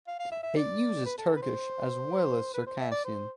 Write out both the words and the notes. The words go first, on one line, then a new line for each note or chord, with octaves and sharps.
It uses Turkish as well as Circassian.
F5
F5
E5
E5
D5
B4
A4
B4
C5
B4
C5
E5
D5
C5